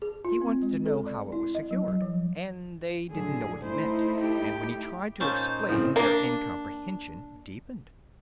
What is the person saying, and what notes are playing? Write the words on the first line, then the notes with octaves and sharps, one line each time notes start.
He wanted to know how it was secured, and they didn't know what he meant, and when he tried to explain their incomprehension deepened.
G#4
F4
C4
G#3
A4
D5
E4
D#5
F#3
F#3
F3
A2 D3 F#3 G#4
A3 D#4 E4 C5
G4
A#2 C#4 D#4 C5 A5
A2 C#3 C4
A#3 D4